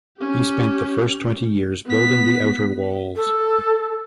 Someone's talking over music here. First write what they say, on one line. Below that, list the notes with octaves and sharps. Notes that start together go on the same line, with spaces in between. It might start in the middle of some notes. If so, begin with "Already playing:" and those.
He spent the first twenty years building the outer walls.
C#4 G4
B3 B6
A4